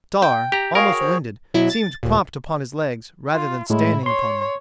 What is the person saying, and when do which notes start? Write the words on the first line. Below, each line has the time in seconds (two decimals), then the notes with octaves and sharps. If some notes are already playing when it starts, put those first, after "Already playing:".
Star, almost winded, seemed propped upon his legs, rather than standing upon them.
0.22 G5
0.52 G4 A#5
0.75 F#4 G#4 A#4 C#5 F5
1.00 C5
1.54 B2 F#3 E4
1.70 A6
2.03 D#2 A#2
3.33 F4
3.70 A2 G#3 E4
4.06 C#5 C6